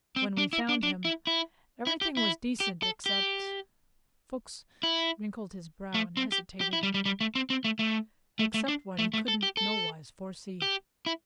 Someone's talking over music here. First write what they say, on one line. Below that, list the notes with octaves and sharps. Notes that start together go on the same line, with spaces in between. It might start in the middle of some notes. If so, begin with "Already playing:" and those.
When we found him, everything was decent except,"--Fuchs wrinkled his brow and hesitated,--"except what he could n't nowise foresee.
C4
D4
E4
D4
D4
E4
E4
E4
G4
E4
G4
A4
G4
E4
A3
C4
G4
G4
E4
G3
G3
G3
A3
C4
C4
A3
A3
A3
A3
D4
A3
A3
A4
G4
A4
G4
E4